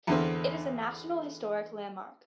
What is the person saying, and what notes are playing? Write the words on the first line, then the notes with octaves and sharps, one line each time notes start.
It is a National Historic Landmark.
E2 D3 C4